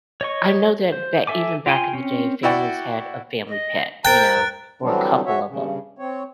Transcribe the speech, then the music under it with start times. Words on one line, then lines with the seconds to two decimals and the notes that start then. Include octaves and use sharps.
I know that back even back in the day, families had a family pet, you know, or a couple of 'em.
0.21 C#5 D#5 C#6
0.92 C5
1.27 A4 E5 G#5 D6
1.66 F4 G5 G#5 C6
1.93 C4 C#4
2.43 E4 F#4 D5 G5
3.48 D#5
4.05 A#4 C5 G5 F#6 A6 D7
4.82 D3 E3 F#3 G3 C4 D4
5.26 F#4 C#5 E5
5.47 G2 C#3
5.99 C4 C#5